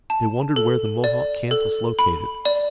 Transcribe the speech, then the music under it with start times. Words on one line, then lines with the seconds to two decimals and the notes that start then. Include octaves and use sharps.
They wondered where the Mohawk camp was located.
0.10 A5
0.56 A4
1.04 D5
1.51 A4
1.99 B5
2.45 D5